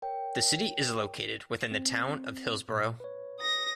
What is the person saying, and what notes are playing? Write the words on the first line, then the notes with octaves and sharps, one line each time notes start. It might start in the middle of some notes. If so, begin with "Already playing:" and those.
The city is located within the Town of Hillsboro.
A#4 C#5 G5
C4
A#2
B4 C#5
D#6 A#6